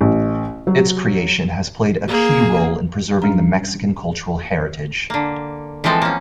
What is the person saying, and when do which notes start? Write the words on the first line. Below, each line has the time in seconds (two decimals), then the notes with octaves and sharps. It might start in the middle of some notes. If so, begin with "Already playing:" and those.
Its creation has played a key role in preserving the Mexican cultural heritage.
0.01 A1
0.67 F#3
2.08 A#3 G#4
3.22 G3 C#4 D4 A#5
5.10 D3 A#3
5.84 E3 F3 G#3 C4 A4
6.02 A#3 C#4